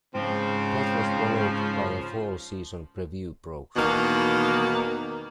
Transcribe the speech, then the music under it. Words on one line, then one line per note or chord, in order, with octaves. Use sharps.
That was followed by a fall season preview program.
G#2 C#3 F3 C4
E2 B2 D#3 A#3